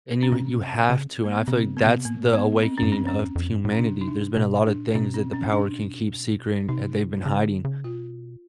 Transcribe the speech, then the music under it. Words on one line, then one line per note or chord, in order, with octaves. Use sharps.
And you you have to, and I feel like that's the awakening of humanity. There's been a lotta things that the power can keep secret, and that they've been hiding.
C#4
C3 C4
C#3
A#3
B3
C3 C4
C#3
B3
C3
A2 A#3
G#2
B3
A2
C4
G2 C#4
C4
F#2
C#4
F2
F2
G2
A2
C#4
C3 D4
D#4
D4
B2
A#2 D4
B2 C#4
C4
C#4
D4
C3 D#4
C#3
D3
C#3
B2 F4